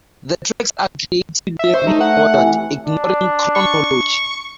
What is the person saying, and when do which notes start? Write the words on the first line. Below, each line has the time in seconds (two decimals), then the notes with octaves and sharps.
The tracks are creatively re-ordered, ignoring chronology.
1.59 E5
1.74 C5 C#5 E5
1.87 A3 D#4
2.01 F#5
2.34 C3 E3
2.87 D4
3.55 C#6